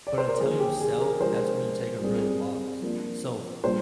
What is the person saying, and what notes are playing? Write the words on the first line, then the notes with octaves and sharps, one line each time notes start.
but until you sell, that's when you take a real loss, so,
D5
C5
A#4
D3 F3 A#3 G#4
G4
G#4
A#4
F3 G#3 D4 G4 C5
G3 C4 F4 G#4
F3 A#3 D4
A#2 G3 D4 F4 C5